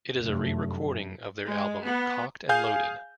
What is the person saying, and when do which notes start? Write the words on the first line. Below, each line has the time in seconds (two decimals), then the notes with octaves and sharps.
It is a re-recording of their album "Cocked and Loaded".
0.19 F1 F#2 A3
1.45 G#3
1.83 B3
2.49 G#4 F5 G#5 G6